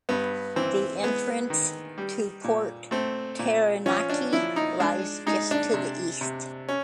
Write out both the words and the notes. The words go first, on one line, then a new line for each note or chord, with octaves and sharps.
The entrance to Port Taranaki lies just to the east.
G2 B3
E3 C4
G#3 B3
D#3
G3
A#2
A3 C4
A#2
F3 C#4
D4
F3 E4
D#4
G#3 D4
G#3 D#4
D4
C3
C3
C#4